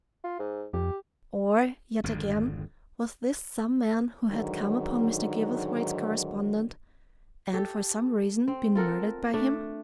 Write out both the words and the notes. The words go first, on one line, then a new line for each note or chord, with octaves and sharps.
Or--yet again--was this some man who had come upon Mr. Gilverthwaite's correspondent, and, for some reason, been murdered by him?
F4
G#2
F2 G4
G#1 F2 D3
G#2 D3 D#3 F#3
G4 A4
C4
F4 A4 A#4 F#5
A3 D4